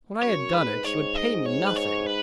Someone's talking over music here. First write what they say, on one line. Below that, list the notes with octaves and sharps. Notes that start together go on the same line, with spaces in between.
When I had done it, he would pay me nothing.
F#2 C#5
G#2 B4
G#2 C#5
D#5
C#5
B4
C#5
B4